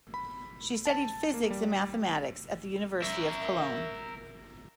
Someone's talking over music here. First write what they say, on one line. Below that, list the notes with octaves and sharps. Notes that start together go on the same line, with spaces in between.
She studied physics and mathematics at the University of Cologne.
B5
A5
A#3
G3
A#4 E5